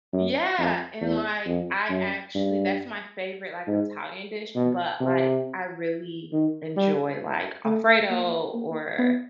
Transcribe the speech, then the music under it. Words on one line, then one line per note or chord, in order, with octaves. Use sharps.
Yeah, and, like, I actually that's my favorite, like, Italian dish, but, like, I really enjoy, like, Alfredo or,
F#2
F2
E2
F2
F#2
G2
G#2
B2
C3
D#3
G3
A3
A#3
A#3
B3